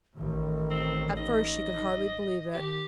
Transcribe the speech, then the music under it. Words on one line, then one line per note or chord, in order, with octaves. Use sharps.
At first she could hardly believe it.
A1 A2 D#3
C4
D#4 D#5
D#3 G4